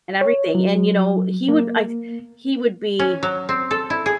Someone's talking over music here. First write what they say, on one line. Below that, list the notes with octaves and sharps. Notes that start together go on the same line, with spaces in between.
and everything, and, you know, he would I he would be
C#5
F#3
A#3
C#4
F#3
C4
A4
E4
G#4